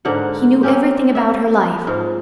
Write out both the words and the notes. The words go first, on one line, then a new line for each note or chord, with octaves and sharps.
He knew everything about her life.
G#2 D3 A#3 F#5
A#3 C4 C#4 G4
E5
G#2 F4